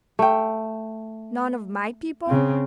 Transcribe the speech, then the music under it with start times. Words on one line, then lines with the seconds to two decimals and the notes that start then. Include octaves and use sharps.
'None of my people?
0.19 A3 G5
2.27 C#3 C4